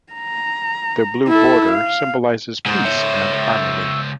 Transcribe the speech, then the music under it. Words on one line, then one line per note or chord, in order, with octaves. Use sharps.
The blue border symbolizes peace and harmony.
A#5
E4 A4
F5
C#2 G#2 C5
C#5 E5